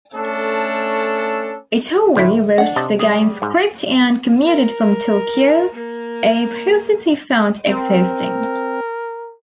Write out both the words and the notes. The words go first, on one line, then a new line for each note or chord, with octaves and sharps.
Itoi wrote the game's script and commuted from Tokyo, a process he found "exhausting".
A3 C#4 D4 A4
D2 A2 E4
D4 F#5
C3 D#5 A5
G3 G#4
G#2
A#4
A#3
C4 A#4